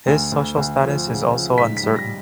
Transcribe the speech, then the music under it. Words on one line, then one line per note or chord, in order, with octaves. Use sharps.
His social status is also uncertain.
D2
D2
D2
F3
C#3
F3
G#2 B6
B6
G3
A#6